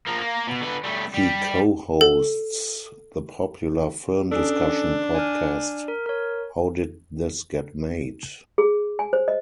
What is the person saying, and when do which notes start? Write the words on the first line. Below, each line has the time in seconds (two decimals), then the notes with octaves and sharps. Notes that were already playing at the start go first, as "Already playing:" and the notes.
He co-hosts the popular film discussion podcast How Did This Get Made?
0.07 F3 A#3
0.20 A#3
0.47 B2
0.61 D3 B4
0.84 G3 A3
1.14 G3
2.01 A4
4.31 C#4 D4 A4
5.15 G#5 F6
5.88 A#4
6.06 A#4 C#5
8.58 G#4
8.99 G#5
9.13 C5
9.28 D#5